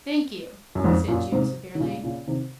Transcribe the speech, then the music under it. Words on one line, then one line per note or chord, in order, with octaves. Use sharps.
"Thank you!" said Jude severely.
F#2
F2 G#2
F#2 A#2
G#2 C3
D#3
A#2 C#3
A#2 C#3
C3 D#3